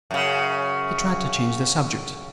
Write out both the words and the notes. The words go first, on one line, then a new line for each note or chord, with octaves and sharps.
He tried to change the subject.
F#2 C#3